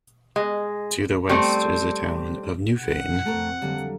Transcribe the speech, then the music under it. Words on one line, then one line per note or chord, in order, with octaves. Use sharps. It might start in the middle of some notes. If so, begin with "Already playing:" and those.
To the west is the Town of Newfane.
G#3
G3 A3 C4
C2 F#2 E3 F#5
F2 A3 C4 A4 A#4
D3 F#3 G3 A#3